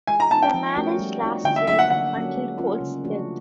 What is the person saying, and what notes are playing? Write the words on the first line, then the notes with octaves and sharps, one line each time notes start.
The marriage lasted until Cole's death.
G#3 G#5
A#5
B3 D#4 A5
G5
F3
A3 C#4 F#4 A#4
G3
C4 D#4 F#4
D3 G5
E5
F#3 A#3 D4 E5
F#5
D3 F#5
F#3 A#3 C#4
G#3
C#4 F4 A#4
C#3
F3 A3 D4 F#4